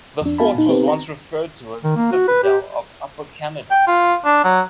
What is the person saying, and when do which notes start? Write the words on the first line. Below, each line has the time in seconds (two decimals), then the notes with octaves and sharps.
The fort was once referred to as the "Citadel of Upper Canada".
0.21 F2 D4
0.38 B3 F#4 F5 G#5 A5 B5
0.55 A#2 D#4
0.68 B3 C4 D#4 G4 A4 B4
0.88 A#5
1.84 D#3
1.96 A#3
2.12 F#4
2.28 B4
2.44 G4
3.71 G5
3.87 F4
4.25 D4
4.44 F#3